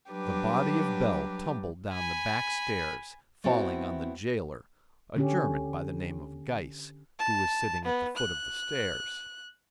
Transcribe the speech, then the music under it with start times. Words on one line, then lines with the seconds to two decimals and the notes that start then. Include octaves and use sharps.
The body of Bell tumbled down the back stairs, falling on the jailer, a German by the name of Geiss, who was sitting at the foot of the stairs.
0.11 F#3 G3 D4 G4 B4
1.93 G#5 B5
3.44 A3 B3 C4 E4 F#4
5.16 D3 C#4 G4
7.19 A5
7.85 B3
8.17 F#6